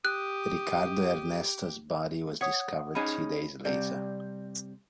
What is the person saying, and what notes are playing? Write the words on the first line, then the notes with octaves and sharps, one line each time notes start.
Ricardo Ernesto's body was discovered two days later.
G4 D#6 F#6
C#5 F#5 D#6
C#4 D#4 G#4 B5
C3 G3 D5